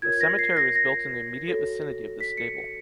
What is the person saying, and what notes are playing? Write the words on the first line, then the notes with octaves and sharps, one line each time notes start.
The cemetery was built in the immediate vicinity of this stable.
F4 A#4 C#5 G#6
A#6
C7
A#6
A#6
F#4 A4 C#5
B6
C#7